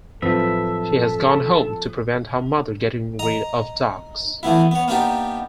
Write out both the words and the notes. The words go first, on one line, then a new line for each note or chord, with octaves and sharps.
She has gone home to prevent her mother getting rid of Daks.
A2 F3 F#3 C4 A4 B4 E5
D#5 A#5
E3 A3 B3 E4
B3 C#5
A#3 B3 D4 D#4 G4